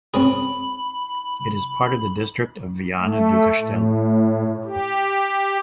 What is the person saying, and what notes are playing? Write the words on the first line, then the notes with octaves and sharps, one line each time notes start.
It is part of the district of Viana do Castelo.
C4 C#4 G#4 B5
A3
A2
G4